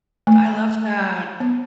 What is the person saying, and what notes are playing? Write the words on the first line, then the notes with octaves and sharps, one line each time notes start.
I love that.
A3
B3